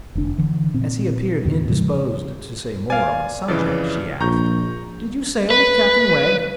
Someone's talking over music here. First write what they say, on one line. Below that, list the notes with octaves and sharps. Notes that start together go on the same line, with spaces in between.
As he appeared indisposed to say more on the subject she asked: "Did you sail with Captain Wegg?"
F1 D3 D4
D3 E3
A#2 C4
E2 A2 D3
A2 C#3 F3 G#3
D5 F5 G#5
F2 C#3 E3 D5
A#1 A#5 C#6 G6
B4